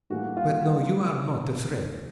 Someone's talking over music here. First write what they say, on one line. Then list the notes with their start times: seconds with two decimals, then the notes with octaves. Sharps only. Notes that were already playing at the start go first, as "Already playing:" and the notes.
But no, you are not afraid.
0.10 A2 E3 G3 A#3 F#4
0.37 F4
0.49 F#4
0.87 E3 A3 C4
1.65 E3 A3 C4